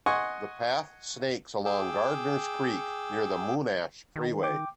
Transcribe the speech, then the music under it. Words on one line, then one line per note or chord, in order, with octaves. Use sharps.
The path snakes along Gardiners Creek, near the Monash Freeway.
D#5 F#5 G#5 C6 C#6
G#4 G5 D6 E6
D#3
G5 D6